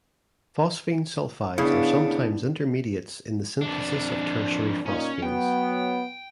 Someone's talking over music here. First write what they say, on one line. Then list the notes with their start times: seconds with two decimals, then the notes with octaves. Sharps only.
Phosphine sulfides are sometimes intermediates in the synthesis of tertiary phosphines.
1.58 C#3 B3 D4 E4
3.61 F2 D4
4.86 A#2 A#3 C#4 D#4
5.22 F#3 B3 G5